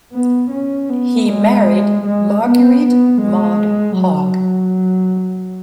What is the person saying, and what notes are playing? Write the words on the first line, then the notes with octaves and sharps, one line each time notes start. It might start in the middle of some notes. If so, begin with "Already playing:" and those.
He married Marguerite Maud Hogg.
B3
C#4
B3
G#3
G#3
B3
B3
G#3
F#3